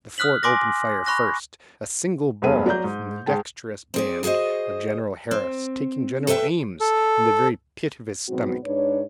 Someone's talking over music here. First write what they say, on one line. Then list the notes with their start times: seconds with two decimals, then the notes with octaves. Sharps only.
The fort opened fire first--a single ball from the dexterous band of General Harris taking General Ames in the very pit of his stomach.
0.18 D#6 F6 F#6 B6 F#7
0.43 G#5 C6 D6 D#6 A#6
1.06 B5 C#6 F#6 A#6
2.42 F1 G2 A3 B3 G#4 D#7
2.66 F#3 D5 A#5 G6
2.84 G#2
3.26 G#2 G#3 G5 A5
3.94 C4 G#4 D5
4.23 F#4 G#4 B4 C5 D#5
5.31 C4
6.27 A4 B4 C#5 E5 G5
6.80 A4
8.28 G#2 B2 F#3 B3 C4 F#4
8.64 G#2 D4 B4 C#5